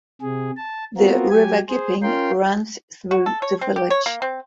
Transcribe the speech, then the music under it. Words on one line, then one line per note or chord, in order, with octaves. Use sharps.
The River Gipping runs through the village.
C3 G#4
A5
B3 C4 F4 F#4 A#4
F#3 G4 G#5
G#4 C5
C#4 F4 A#4 G5 C6
F#4
A4
C#5
C4
G4
C#5
A#3
C4